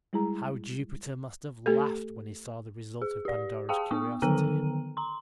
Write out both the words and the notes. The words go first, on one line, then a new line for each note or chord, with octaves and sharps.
How Jupiter must have laughed when he saw the result of Pandora's curiosity!
G3 G#3 E4 G#4 A#5
A3 G4 A4
G#4
G4 D5
G#4 F5 G5 A5 D#6
B3 C#6 D#6
D3 D#3 B3 A4 A#5 D#7
A#5 C6